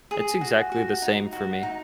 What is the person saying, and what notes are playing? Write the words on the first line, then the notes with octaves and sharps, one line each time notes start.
It's exactly the same for me.
G#4
F#4
F#4
D#4
F#4
D#4